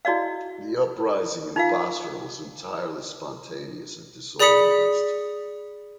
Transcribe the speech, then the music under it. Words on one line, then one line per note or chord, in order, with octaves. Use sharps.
The uprising in Basra was entirely spontaneous and disorganised.
E4 F#4 D5 D#5 F5
D#4 F4 F5
G#4 D5 B5 D#6 B6 C#7